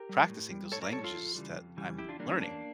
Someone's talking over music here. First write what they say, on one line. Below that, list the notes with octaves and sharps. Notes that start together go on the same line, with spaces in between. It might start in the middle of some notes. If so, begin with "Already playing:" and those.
practicing those languages that I'm learning
Already playing: G4 A#4
G3
A2
G3
A2 A4 C#5
A#4 D5
G3 A4 C#5
F4 A4
F2
C#3 E3 G3
F2
C#3 E3 G3
E2 E4 G4
D4 F4
E3 G3 A#3 D4
A3 C#4
E2 A#3 D4